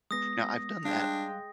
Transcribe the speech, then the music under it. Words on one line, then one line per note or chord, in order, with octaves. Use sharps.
now I've done that
G#3 B3 D#6 A#6
G3 G#3 D4 F5 G5 F#6